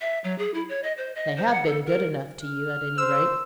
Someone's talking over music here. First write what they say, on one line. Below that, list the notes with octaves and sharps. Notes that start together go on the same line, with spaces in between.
'They have been good enough to you, at any rate.
E5
F#3
G#4
E4
C#5
D#5
C5
D#5
C5
F#5
A4
A#4
F6
C5 E6